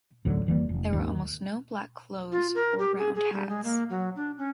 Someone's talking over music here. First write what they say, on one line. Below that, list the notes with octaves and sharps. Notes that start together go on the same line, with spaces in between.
There were almost no black clothes or round hats.
A1 D2 D3 F#3
F1 E3 G3 A#3
F1
D#2 G#2
F4
A#4
G4
G#4
G#4
G3
G#3
A#3
F#3
D4
C#4